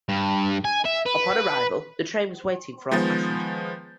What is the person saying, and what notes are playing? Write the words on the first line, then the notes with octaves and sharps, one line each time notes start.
Upon arrival, the train was waiting for all passengers.
G2
G#5
E5
B4
D#3 F3 G#3 B3 G6 A6